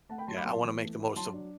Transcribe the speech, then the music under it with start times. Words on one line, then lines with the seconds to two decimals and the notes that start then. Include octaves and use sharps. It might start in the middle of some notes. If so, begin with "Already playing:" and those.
yeah, I wanna make the most of
0.09 A3 F#5 A5
0.18 G5 B5
0.27 F#3 A5 C6
0.37 B5 D6
0.45 B3 A5 C6
0.63 E3
0.81 A3
0.98 E4
1.16 F#3 A5 C6
1.34 D4